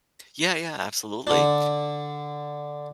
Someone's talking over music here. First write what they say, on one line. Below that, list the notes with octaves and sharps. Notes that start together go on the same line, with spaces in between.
Yeah, yeah, absolutely.
D3 D4